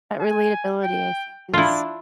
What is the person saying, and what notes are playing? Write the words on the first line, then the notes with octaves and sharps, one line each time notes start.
That relatability, I think, is
G#5
G5
D4 E4 F4